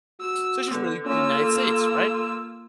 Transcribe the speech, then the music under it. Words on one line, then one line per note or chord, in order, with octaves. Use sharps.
So, it's just really the United States, right?
F#4 E6
D3 B3
A#3 C#4 F4 E6
A4